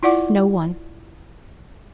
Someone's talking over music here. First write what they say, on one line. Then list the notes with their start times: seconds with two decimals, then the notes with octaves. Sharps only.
"No one."
0.03 E4 F4 D5 F#5 D6